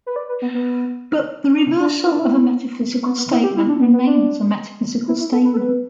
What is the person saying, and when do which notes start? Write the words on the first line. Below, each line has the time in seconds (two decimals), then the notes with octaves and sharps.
But the reversal of a metaphysical statement remains a metaphysical statement.
0.06 B4
0.16 D5
0.29 B4
0.42 B3
0.54 B3
1.55 D4
1.80 D4
2.05 E4
2.12 D4
2.19 E4
3.06 B3
3.18 B3
3.31 E4
3.43 G4
3.57 E4
3.68 D4
3.81 B3
3.93 B3
4.07 D4
5.08 E4
5.20 E4
5.32 A4
5.45 B4
5.53 A4
5.57 B4